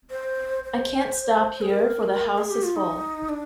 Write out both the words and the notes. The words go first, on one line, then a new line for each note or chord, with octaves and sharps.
I can't stop here, for the house is full.
C5
C5
G#4
A#4
G#4
G4
F4
D#4
D4